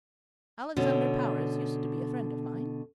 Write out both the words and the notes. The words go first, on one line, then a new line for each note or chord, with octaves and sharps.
Alexander Powers used to be a friend of mine.
B2 D3 C#4